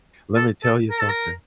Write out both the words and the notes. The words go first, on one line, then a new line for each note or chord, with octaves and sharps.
Let me tell you something."
A4
A4
A#4
A4
A#4